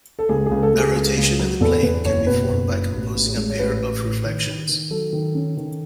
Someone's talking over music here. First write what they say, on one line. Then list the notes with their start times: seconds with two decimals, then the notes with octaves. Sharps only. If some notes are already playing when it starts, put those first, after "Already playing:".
A rotation in the plane can be formed by composing a pair of reflections.
0.19 A4
0.29 C#2 G#4
0.46 C#2 G#4
0.63 A4
0.74 C#2
0.79 G#4
0.96 C#2
1.17 C#2
1.39 F#3
1.61 E2 A4
1.83 E2 B4
2.05 F#1 C#5
2.27 B2 B4
2.49 F#1
2.72 B2
2.93 A1
3.15 A1
3.37 G#3
3.49 C#5
3.59 A1 B4
3.81 A1
4.03 A2
4.25 D#3
4.47 D#3
4.69 D#3
4.91 F#3 A4
5.13 D#3
5.35 C#4
5.57 D#3